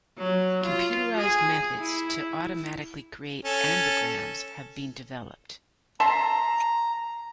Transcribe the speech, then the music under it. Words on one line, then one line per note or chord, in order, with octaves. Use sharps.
Computerized methods to automatically create ambigrams have been developed.
F#3
F4
G#4
E4
C#4 A4
E5 A5 A#5 C6